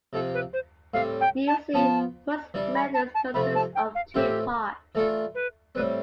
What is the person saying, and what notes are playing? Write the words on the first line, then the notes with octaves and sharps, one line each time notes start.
Usually those methods consist of two parts.
C3 F3 C4 A4
B4
C5
A2 G3 C4 F5
G5
A5
F3 B3 F4 A5
E3 G3 D4
B5
A5
A5
C3 F3 A3 B5
A5
G5
F5
A2 E3 A3 C4 F4 G4
E3 A3 D4 F4 A4
B4
A2 G3 C4 B4